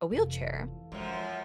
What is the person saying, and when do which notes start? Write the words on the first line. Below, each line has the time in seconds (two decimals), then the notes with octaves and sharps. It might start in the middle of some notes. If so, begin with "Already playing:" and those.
a wheelchair.
0.11 F1 E3 F4 A4
0.92 F#2 F3 G#3